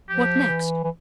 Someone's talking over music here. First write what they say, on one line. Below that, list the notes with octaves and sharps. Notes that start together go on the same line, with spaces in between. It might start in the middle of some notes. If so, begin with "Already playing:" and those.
What next?
F3 G4
E3
E3